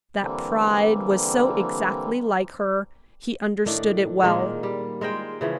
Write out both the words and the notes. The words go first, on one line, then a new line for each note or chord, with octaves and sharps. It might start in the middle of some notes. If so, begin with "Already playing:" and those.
That pride was so exactly like her, he understood it well.
D3 E3 G3 A#3 C4
A2 D#3 D4
A#2 D#3 G#3 A#3
G3
G#3 A#4 C5 G5
C#3 E3 F3 C#4